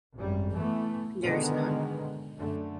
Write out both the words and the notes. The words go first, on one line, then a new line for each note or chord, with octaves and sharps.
There is none.
G#1 F#2 G3
E3 A3 B3
B2 D3 D#3 G#3 B3
F#2 D3 A3